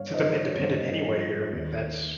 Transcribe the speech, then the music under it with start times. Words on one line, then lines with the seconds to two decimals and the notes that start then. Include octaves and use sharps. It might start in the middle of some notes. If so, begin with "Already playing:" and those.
since I'm independent anyway here, I mean that's
Already playing: G2 C#5 F5
0.14 F3 C5 D#5
0.37 C#5
0.54 C#5
0.59 G2 C5
1.06 F3
1.53 D#2